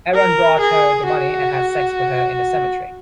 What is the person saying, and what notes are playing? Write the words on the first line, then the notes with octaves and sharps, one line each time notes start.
Aaron brought her the money and had sex with her in the cemetery.
A#4
G#4
F#4